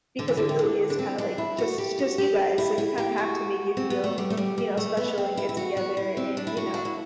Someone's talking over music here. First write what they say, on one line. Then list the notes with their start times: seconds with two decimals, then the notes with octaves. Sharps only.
because it really is, kind of, like, just just you guys, so you kind of have to make it feel, you know, special, and get together, and, you know,
0.19 D3
0.28 E3
0.37 D3
0.49 C3
0.59 D3
0.90 D4
0.99 C4
1.18 D4
1.38 E4
1.58 F#4
1.78 G4
1.99 F#4
2.18 G4
2.58 E4
2.78 E4
2.98 G4
3.18 F#4
3.77 C4
3.90 B3
4.04 A3
4.18 G3
4.30 A3
4.37 G3
4.58 G3
4.77 A3
4.97 B3
5.18 C4
5.37 E4
5.49 E4
5.57 F#4
5.77 F#4
5.97 E4
6.17 C4
6.37 D4
6.47 E4
6.57 F#4
6.74 D4
6.85 E4